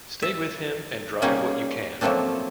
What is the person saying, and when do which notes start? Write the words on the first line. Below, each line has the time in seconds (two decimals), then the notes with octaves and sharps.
Stay with him and drive what you can.
0.22 E5
1.22 G3 A#3 C#4 D#4 G#4
2.01 F3 F#3 A3 A#3 C4 D4